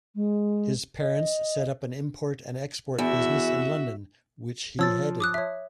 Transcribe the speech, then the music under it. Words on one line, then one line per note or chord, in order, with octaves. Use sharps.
His parents set up an import and export business in London which he headed.
G#3
D#5
E2 F#4 E5
F3 C#5 E6 A6
D6 D#6 F#6
C#5 E5